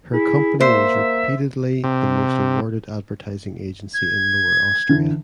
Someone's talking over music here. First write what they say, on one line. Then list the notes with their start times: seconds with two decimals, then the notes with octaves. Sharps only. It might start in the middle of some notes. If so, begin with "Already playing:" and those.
Her company was repeatedly the most awarded advertising agency in Lower Austria.
0.13 E4 G#4
0.60 A#3 C5 E5
1.84 C3
3.94 G#6
4.89 D3 E3